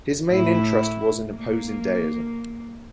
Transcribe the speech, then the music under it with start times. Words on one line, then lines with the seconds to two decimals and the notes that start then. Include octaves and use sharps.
His main interest was in opposing deism.
0.30 A2 E4
1.32 A#3